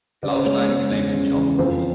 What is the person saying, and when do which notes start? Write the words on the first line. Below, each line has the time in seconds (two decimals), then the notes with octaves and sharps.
Blaustein claims the opposite.
0.23 C#3 D5
0.31 C#5
0.38 C5
0.46 G#3 C#5
0.69 G#3
0.91 E2
1.13 C#3
1.36 E3
1.58 F2 C5